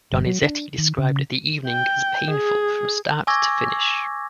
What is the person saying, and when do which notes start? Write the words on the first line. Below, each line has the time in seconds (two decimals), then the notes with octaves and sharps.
Donizetti described the evening as "painful, from start to finish".
0.13 G1
0.27 F#3
0.42 D4
0.78 D#3
0.98 C#3
1.68 G5
2.31 G#4
3.27 G#5 C#6 D6 E6 G#6 A#6